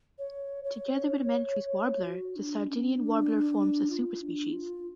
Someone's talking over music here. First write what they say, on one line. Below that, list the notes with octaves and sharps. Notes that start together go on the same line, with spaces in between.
Together with Menetries' warbler the Sardinian warbler forms a superspecies.
C#5
C#5
F#4
D4
C#4
D4
F4
D4
F4